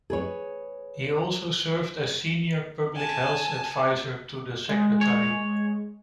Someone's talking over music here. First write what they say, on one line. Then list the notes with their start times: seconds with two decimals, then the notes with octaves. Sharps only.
He also served as senior public health advisor to the Secretary.
0.10 G#4 B4 C#5
2.96 G#5 A5
4.69 G#3
5.01 C#5